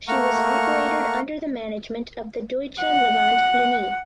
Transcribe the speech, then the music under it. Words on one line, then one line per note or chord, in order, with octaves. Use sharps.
She was operated under the management of the Deutsche Levant Linie.
A3 A#3 F#5 A#5 C#6 F6
F#5